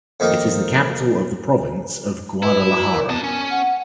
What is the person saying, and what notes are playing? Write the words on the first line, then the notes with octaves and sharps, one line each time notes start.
It is the capital of the province of Guadalajara.
F2 D#3 A#3 D#4 A#4
E4 B4
F#4
A#4
B3 C4 A5
B3 C#4
F#5